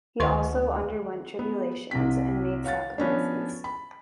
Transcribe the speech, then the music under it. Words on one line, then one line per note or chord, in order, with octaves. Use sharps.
He also underwent tribulations and made sacrifices.
D2 D#3 C6
B3
C2 C3 B6
C#5 F5 F#5 A6
F3 B3 C#4 D4
B5